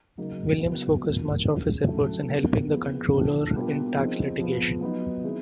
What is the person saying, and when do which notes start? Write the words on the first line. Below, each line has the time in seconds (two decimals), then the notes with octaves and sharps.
Williams focused much of his efforts in helping the controller in tax litigation.
0.17 C#3 F#3 A#3 D#4
0.60 C#3 F#3 B3 E4
1.02 E3 G3 A#3 D4 F4
1.44 D#3 G#3 C#4
1.86 D3 F#3 A3 C#4 E4
2.28 B2 G3 A#3 D4
2.70 F3 G#3 B3 E4
3.13 A2 F3 A3 D4
3.55 B2 G3 A#3 D4 F4
3.97 F3 G#3 C4 D#4
4.39 F3 G#3 B3
4.81 F#3 B3 D#4
5.23 D#3 G#3 C4 E4